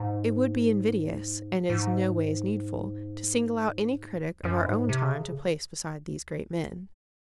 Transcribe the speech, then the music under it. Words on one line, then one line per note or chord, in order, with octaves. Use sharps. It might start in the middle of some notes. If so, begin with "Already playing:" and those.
It would be invidious, and is noways needful, to single out any critic of our own time to place beside these great men.
Already playing: G#2
G#2
F#2
G#2
C3
C#3